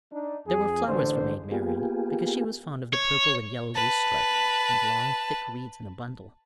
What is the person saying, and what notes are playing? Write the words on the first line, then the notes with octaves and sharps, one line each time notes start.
There were flowers for Maid Marian, because she was fond of the purple and yellow loosestrife, and long thick reeds in a bundle.
D4 D#4
F2 G#4
A1 D3 C5
A#3 B3 F4 G4 G#4
C#5
B4 A5